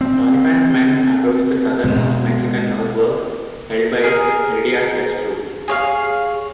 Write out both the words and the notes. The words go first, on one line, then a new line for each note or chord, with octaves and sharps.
Doniphan's men approached the southernmost Mexican earthworks, held by Heredia's best troops.
C4
B2 G#3
G#4 A#4
G#4 C#5 F5